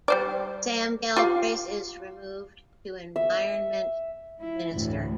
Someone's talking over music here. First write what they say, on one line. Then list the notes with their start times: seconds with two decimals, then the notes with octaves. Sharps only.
Sam Galbraith is removed to Environment Minister.
0.08 G3 C5 D5
1.16 F4 G4 F5
3.16 E5
4.40 E4
4.73 D2 A2 E3